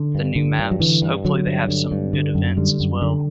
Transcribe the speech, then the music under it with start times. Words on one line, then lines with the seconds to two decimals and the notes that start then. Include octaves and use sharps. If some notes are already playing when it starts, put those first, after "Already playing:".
the new maps. Hopefully, they have some good events as well.
Already playing: D3
0.15 G2
0.36 D3
0.59 G2
0.71 F#3
0.80 D3 E3
1.02 G2
1.25 D3 F#3
1.47 G2
1.69 D3
1.92 G2
2.13 D3
2.35 F#2
2.57 D3 G3
2.80 F#2
3.02 D3